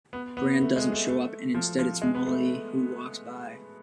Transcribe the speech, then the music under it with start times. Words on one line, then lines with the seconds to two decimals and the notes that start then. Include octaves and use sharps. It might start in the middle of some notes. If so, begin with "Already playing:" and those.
Brand doesn't show up, and instead it's Molly who walks by.
0.13 B3
0.37 B3
0.61 A3
0.76 G#3
0.92 A3
1.08 A3
1.54 F3
1.79 F3
2.02 G#3
2.15 B3
2.26 A3